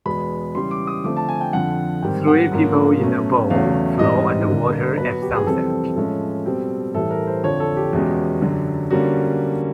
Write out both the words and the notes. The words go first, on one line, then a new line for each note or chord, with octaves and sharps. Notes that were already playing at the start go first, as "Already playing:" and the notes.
Three people in a boat float on the water at sunset.
E2 B2 G#3 B3 B5
C#3 E3 G3 C6
D6
D#6
D3 F3 A3 C4 D6
A5
G#5
G5
F2 D3 F3 F#5
G#2 D#3 G3 C4 G5
F#5
G#2 F3 A#3 C#4
B2 F#3 A3 C#4
E2 C#3 F#3 A3 C#4 F5
G#2 E3 G3 C4 D#5
D3 G3 A#3
B2 F#3 B3 B4
F#4
G4
G#4
F2 C3 E3 G3 C4 A4
A2 F3 G#3 C#4 A4
B2 G3 C4
A2 E3 G3 A4
A#4
C5
F2 D3 F3 C#5
A4
G4
E2 B2 G#3 C#4
F#2 D3 F#3
D3 G3 A#3 C#4 F#4